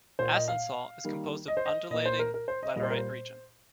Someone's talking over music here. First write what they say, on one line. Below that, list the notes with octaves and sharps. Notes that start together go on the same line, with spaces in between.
Asansol is composed of undulating latterite region.
A#2 A#3 C5
D#5
F5
D#3 G3 A#3
D#5
C5
D#5
A#2 A#3 D#5
C5
A#4
A#4
C5
D#5
A#2 G3 A#3 D#5
C5
A#4
C5